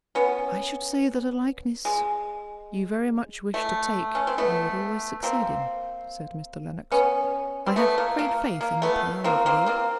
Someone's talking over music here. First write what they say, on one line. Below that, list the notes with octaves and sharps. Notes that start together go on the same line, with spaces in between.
'I should say that a likeness you very much wish to take you would always succeed in,' said Mr. Lennox. 'I have great faith in the power of will.
B3 C#4
G#3
A3
C#4
C4
A3 B3
A#3 C4
B3 C#4
C4
A3 B3
A#3
A#3
A#3
A3 B3
A#3 C4
A#3 C4
A#3 C4